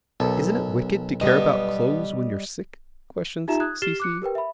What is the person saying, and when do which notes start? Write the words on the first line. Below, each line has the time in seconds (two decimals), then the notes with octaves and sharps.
"Isn't it wicked to care about clothes when you're sick?" questioned Cecy.
0.20 B1 F#2 A4
1.21 G2 G3 B3 D#5
3.48 D#4 F4 G4 E5 A#5 E7
3.60 D#6 F#6 G#6
3.82 G4 F6 A6 C7 E7 G7
4.00 D6 F#6 C#7
4.22 G4 A#4 B4 G5
4.35 E5 B5